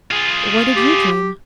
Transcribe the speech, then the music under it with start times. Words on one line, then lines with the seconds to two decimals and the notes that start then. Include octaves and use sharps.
'What did you dream?'
0.11 F4 G#4
0.76 G4